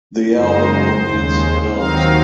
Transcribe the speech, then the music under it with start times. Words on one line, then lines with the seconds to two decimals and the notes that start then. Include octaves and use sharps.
The album omits Nos.
0.33 F#2 C#3 G#3 D#4 C5
1.03 D#2 C#3 G#3
1.72 D#2 D#3 F#3 C4 D#4 F5